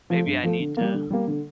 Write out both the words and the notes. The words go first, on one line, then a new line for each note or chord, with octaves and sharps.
Maybe I need to
F3 A3
G2
F3 A3
D3
G3 A#3
D3
G3 A#3
D3